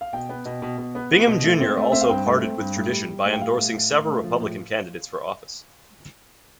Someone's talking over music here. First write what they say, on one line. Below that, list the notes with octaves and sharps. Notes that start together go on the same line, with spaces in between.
Bingham Junior also parted with tradition by endorsing several Republican candidates for office.
F5
B2 G5
B3
B2
B2
B2
B3
B3
B2
A3
C4
A3
C4 E5
F5
G2 G5
A3
C4
G2
A2
G3
G3
A2
G5
G3 F5
A2
A2
A2
A3
F3
A2